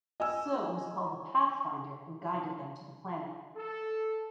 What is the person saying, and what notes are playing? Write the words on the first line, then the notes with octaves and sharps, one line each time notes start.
Suh was called the Pathfinder and guided them to the planet.
D#5 G#5 E6
A4